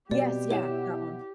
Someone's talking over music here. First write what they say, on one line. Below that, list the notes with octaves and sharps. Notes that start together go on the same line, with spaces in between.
Yes, yeah, that one.
B2 G3 C4 G4 D5
E4 C#5 F#5 E7